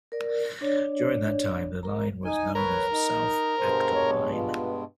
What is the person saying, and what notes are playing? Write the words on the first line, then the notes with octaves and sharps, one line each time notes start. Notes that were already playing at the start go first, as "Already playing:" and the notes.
During that time, the line was known as the South Acton Line.
A#4 D5
D4 C#5 D5
A#4 A#5
D#4 G#5
A#4 B4 C#5
D#4
G2 B2 G#3 C5
C#5
F4